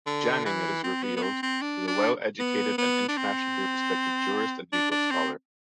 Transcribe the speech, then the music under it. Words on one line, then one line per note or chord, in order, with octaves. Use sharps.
Janning, it is revealed, is a well-educated and internationally respected jurist and legal scholar.
D3
E3
C4
B3
B3
C4
C4
D4
D4
B3
B3
D4
C4
D4
D4
C4